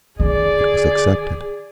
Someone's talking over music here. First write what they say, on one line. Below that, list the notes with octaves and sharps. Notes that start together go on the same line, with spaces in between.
It was accepted.
D3 G#4 D5